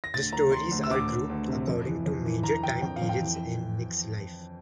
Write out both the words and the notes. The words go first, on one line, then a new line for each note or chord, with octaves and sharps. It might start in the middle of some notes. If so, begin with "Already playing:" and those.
The stories are grouped according to major time periods in Nick's life.
A#6
D2 A6
D2 A#5
D2 C6
D2
E6
D2 D6
D2
D2
C3
F2
E3
F2
E3
E3 A#5
E3 G5
F2 G5
F5
F2
G5
E3